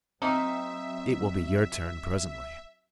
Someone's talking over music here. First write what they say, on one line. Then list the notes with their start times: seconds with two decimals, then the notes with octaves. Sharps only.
"It will be your turn presently!"
0.22 F#3 A#3 C4 D#4 E5